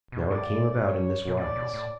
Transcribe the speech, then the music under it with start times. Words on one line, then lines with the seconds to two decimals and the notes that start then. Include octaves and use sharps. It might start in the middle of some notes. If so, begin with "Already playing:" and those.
Now it came about in this wise.
0.12 B2
0.30 G2 D5
0.38 A2
0.46 G2
0.57 A2
0.83 C#5
1.27 B2
1.37 A2 D5
1.56 B2
1.73 A2